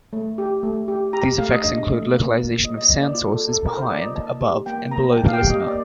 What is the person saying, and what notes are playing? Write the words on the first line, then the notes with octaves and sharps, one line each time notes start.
These effects include localization of sound sources behind, above and below the listener.
A3
G4
A3
G4
G4 A#5
A3 F5
D#5
D4 D#5
A3
A#3
A#3
F4 D#5
D#5
A#3
D5
F4
A4
F4
A4
F4 A#4
C5
F4 D5
D#5
A#3 A5
G4
A#3 G5
A#3 A#5
G5
A#3 A5
F5
G5
G4
D#5
A#3 D5